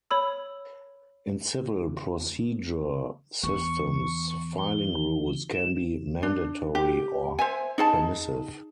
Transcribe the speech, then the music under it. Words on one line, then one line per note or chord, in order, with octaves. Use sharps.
In civil procedure systems, filing rules can be mandatory or permissive.
C#5 B5 E6
E2 C#6
G7
E7
D4
G4
C5 E5 G#5
D#4 G#4 A5